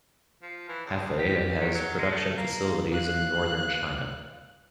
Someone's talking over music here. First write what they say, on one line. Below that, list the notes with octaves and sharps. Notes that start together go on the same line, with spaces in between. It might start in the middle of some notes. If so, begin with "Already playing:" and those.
Hafei has production facilities in Northern China.
F3
E3
C#2
G4
D#3
F#3
G#3
A3
A#3
F5 F#6